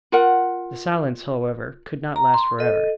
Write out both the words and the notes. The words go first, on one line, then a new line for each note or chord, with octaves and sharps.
The silence, however, could not last forever.
F4 A#4 F#5
A#5
C6
A4 D#5